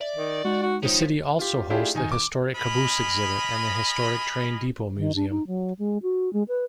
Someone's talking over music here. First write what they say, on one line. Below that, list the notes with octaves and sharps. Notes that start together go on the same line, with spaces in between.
The city also hosts the Historic Caboose exhibit and the Historic Train Depot museum.
D5 E5
D#3
G#3 D#4 F#4
F#4
D#3 F3 C#5 B6 F7
F4 G4
A3 D4 E4 F4 G4 G#4
D#3 D#4 G#5
D6
G#4 A#4 D#5 B5
D#3
D4
D#4
F#3
G#3
F#4
G#3
B4